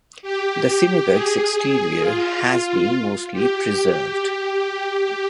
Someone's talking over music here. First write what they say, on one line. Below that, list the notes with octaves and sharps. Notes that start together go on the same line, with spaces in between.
The synagogue’s exterior has been mostly preserved.
G4
G4
G#4
F4
G4
G4